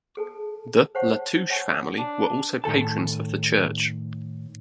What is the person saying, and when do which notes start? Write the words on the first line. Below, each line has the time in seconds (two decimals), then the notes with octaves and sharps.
The La Touche Family were also patrons of the church.
0.17 G#4 A4 A5
0.95 C5 C#5 F5 F#5 A5 C#6
1.50 C#5 F#5 G#5 A5 C#6
1.98 D4
2.64 A2 D#3 A4 A5